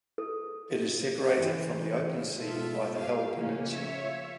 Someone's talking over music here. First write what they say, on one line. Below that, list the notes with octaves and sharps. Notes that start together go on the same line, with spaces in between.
It is separated from the open sea by the Hel Peninsula.
A4
E3
B2 G#3 F4 A4 E5
G4 F5
C#3 F3 A#3 C#4 F4
F4 C#5 E5